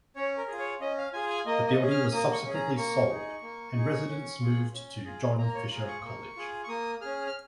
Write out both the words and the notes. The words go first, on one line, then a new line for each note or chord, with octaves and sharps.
The building was subsequently sold, and residents moved to John Fisher College.
C#4 C#5
A#4
F4 G#4
C#5
C#4 D#5
F5
F4 G#4 G#5
G#5
A#3 D#5
D#5
C#4 G#4
F6
A#3 D#6
C#6
C#4 G#4
A#5
A#3 C#6
D#4 G#4
A#3
D#4 G#4
C#4
F4 G#4
C#4
F4 G#4
A#3 A#5
C#5
F4 G#4 A#5
C#6
A#3
F4 G#4
C#6
A#3 D#6
C#4 G#4 F6
F6